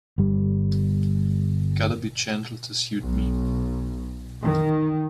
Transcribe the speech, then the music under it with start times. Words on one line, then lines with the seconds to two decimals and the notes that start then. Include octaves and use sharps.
Gotta be gentle to suit me.
0.18 G1 G3
3.00 B1
4.45 D#3